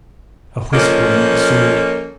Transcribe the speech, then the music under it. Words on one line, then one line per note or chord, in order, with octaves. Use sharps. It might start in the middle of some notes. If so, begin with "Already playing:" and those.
A whispering ensued.
F3 A#3 C#4 A4 D#5